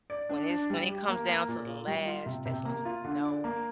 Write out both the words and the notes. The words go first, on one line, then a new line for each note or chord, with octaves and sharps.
When it's when it comes down to the last that's when you know,
D5
D4
D4
G3
G4
A#3
A#3
A#2
F4
G3
F4
C3
C3
A#3
F4
D3
D5
A#3